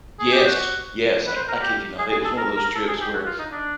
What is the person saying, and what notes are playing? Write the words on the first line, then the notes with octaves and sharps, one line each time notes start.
Yes. Yes. I I kid you not. It was one of those trips where
G#4
G4
F#4
B4
C5
A#4
G4
G#4
G#4
A4
A#4
A#4
A4
G#4
G4
F#4
F4
D#4
D4